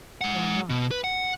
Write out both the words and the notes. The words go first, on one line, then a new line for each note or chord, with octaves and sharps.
"Why not?"
G#3 F#5
B2
B4
F#5